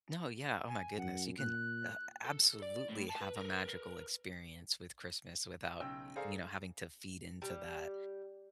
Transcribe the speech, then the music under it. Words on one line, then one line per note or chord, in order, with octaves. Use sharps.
No, yeah. Oh my goodness, you can, uh, absolutely have a magical experience with Christmas without, y you know, having to feed into that,
G#5
F#2 F#5
A#2 F#6
A4
D5
A2
A5
B4
A#4 B4
B1 C#3 G5 E6
G#4 A4 C5 D5 F5 A#5
G3